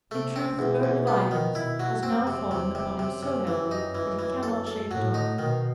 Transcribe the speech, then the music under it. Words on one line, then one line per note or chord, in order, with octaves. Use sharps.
In truth the burden of idleness has now fallen upon him so heavily that he cannot shake it off.
C3 A3
C4
E2 B2
E2
B3
D#3
B2 E4
F#3
F#2 C4
C3
E2 C3
C3
F#2 C3
C3
F#2 E3
D#4
F#2 E3
E3
A4
A4
A2 F#3
D#4
B2 D#3